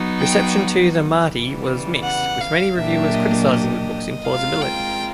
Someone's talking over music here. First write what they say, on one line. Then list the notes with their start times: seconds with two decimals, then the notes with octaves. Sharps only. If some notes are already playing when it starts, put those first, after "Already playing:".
Reception to "The Mahdi" was mixed, with many reviewers criticizing the book's implausibility.
Already playing: F#3 B3 D#4 F#4
0.19 G5
1.30 C#3 E3 G3 B3
2.03 F#5
2.41 F5
2.77 A#2 F#3 A#3 D4 G4 E5
3.14 D#5
3.50 D#5
4.25 G#3 C4 F4 A#4 F5
4.61 G5